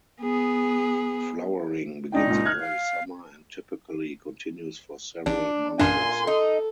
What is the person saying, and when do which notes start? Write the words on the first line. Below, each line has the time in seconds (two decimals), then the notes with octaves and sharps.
Flowering begins in early summer and typically continues for several months.
0.22 B3 G#4
2.12 C#2 D4 D#4 G5
2.26 C#2 A#2
2.46 F6 F#6 G#6
2.60 F5
5.26 A1 D4
5.79 A1 F#2 A#2 D4 G#5 C6
6.27 D#4 A4